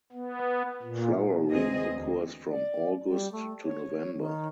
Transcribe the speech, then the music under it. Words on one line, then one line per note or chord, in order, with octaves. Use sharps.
Flowering occurs from August to November.
B3
A#2
E2 C4 G#4 D#5
D2
D5
G3
A3
C#5
D#3